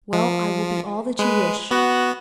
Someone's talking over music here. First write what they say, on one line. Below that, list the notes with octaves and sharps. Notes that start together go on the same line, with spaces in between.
"Well, I will be all that you wish."
F3
G#3 B4
B3 F#4